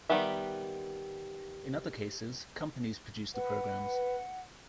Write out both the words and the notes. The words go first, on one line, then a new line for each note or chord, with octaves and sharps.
In other cases, companies produce the programs.
D#3 G3 B3 G4 E5
B4 F#5